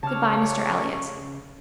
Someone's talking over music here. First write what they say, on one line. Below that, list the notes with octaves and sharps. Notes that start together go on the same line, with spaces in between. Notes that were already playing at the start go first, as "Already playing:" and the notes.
"Good-bye, Mr. Elliott."
C#3 G3 D4 C#5 A5 F6